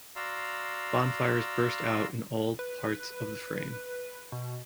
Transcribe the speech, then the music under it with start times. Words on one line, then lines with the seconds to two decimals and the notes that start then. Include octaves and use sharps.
Bonfires burst out in all in parts of the frame.
0.16 F#4 D5 F5 A#5 C6 E6
2.59 B4
4.32 B2